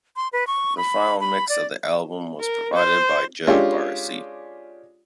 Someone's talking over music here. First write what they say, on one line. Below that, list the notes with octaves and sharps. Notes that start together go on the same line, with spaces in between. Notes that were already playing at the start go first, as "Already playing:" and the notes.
The final mix of the album was provided by Joe Barresi.
C6
B4
C#6
B5
B5
D5
A#4
C5
G#3 C#4 D4 F4 G4